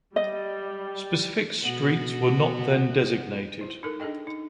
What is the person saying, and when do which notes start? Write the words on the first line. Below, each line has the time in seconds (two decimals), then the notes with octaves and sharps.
Specific streets were not then designated.
0.16 G3 D#5
1.62 B2 B3 F#4
3.59 E4 C5
3.83 D#4 A4 A#4
4.00 D4 G#4 A4 D#5 G5
4.27 D#4